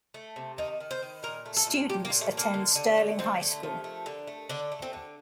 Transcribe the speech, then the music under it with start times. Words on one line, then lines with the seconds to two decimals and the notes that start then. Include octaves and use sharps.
Students attend Sterling High School.
0.14 A3
0.36 C3
0.58 D#3 D#4
0.80 D#3
0.91 C5
1.02 D#3
1.23 A#2 A#4
1.46 A3
1.57 A4
1.67 A#2
1.89 A#2 G4
2.05 A#3
2.10 A#2
2.21 A3
2.32 A3
2.37 A#3
2.54 D3
2.75 D3
2.97 A3
3.19 D3 C4
3.41 A3
3.63 F3
3.84 A3
4.06 D3
4.27 A3
4.49 D3 D4
4.72 A3
4.82 C4
4.93 D3